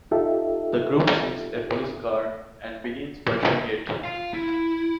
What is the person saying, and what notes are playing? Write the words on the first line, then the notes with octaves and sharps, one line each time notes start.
The group sees a police car and begins pursuing it.
D#4 F4 G4 A4 E5
F5 C6
E4